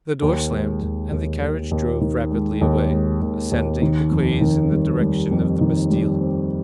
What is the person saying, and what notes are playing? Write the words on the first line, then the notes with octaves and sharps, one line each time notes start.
The door slammed, and the carriage drove rapidly away, ascending the quays in the direction of the Bastille.
D#2
G#3
D#2
D#2
D#2
D#2
D#3
G#3
D#2
G#3
D#2
D#2
D#3
F2
D#3
G3
G3
F2
D#3
G3
C4